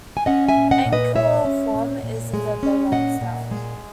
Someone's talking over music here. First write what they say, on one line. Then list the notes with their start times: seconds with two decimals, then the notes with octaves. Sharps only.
Angkor Thom is in the Bayon style.
0.17 G#5
0.26 C#4 D#5 F#5
0.49 E5 G#5
0.56 A#2
0.71 D#5 F#5
0.86 A#2
0.93 B4 D#5
1.15 G#3 C#5 E5
1.45 C#4
1.74 A#2
2.03 A#2
2.33 G#3
2.63 C#4
2.92 A#2 D#5 F#5
3.21 A#2
3.51 G#3